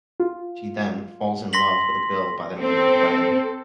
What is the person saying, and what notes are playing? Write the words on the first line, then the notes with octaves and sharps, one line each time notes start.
She then "falls in love" with a girl by the name of Gwen.
F4
C6 A#6 B6 F#7
C4 A4